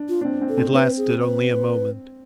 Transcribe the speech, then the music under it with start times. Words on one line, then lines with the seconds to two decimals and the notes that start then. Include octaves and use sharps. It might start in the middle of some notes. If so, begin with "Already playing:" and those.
It lasted only a moment.
Already playing: D4
0.09 F4
0.21 D4
0.25 C4
0.41 C4
0.49 A4
0.58 C4
0.74 C4 B4
0.98 G#4
1.22 B4